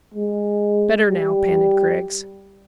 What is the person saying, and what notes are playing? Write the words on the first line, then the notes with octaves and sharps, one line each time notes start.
"Better now," panted Griggs.
G#3
G3